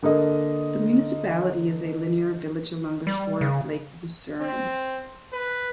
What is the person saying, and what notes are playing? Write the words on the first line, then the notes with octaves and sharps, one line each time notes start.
The municipality is a linear village along the shore of Lake Lucerne.
D3 A#3 A4 D#5
G3
C#3
C4
B4